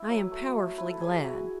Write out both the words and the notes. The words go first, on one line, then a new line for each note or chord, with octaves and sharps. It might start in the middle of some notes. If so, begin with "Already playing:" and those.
I am powerfully glad.
Already playing: E4 E5
F#3 B4
A3
A3
E4 B4
A4
F#3 G#4
G#4
E4 F#4